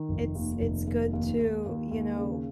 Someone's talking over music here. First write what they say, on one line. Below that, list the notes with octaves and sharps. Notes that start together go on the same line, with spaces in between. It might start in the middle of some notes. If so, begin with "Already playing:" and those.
it's it's good to, you know,
Already playing: D#3
F1
D#2
F1
D#2
D#2
D#2
D#2
D#2
C#3